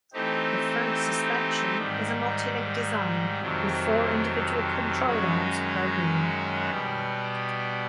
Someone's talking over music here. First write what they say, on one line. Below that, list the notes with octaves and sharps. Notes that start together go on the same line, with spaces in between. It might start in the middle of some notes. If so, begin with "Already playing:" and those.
The front suspension is a multi-link design with four individual control arms per wheel.
E3 A3 C4 D#4 G4
G#2 D#3 G3
F2 C3 D#3 F#3
F#2 D#3 G#3 C#4 F#4
B2 G3 B3